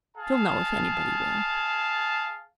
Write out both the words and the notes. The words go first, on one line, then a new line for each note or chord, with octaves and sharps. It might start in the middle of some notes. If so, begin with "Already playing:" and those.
She'll know if anybody will.
G#4 F5 A5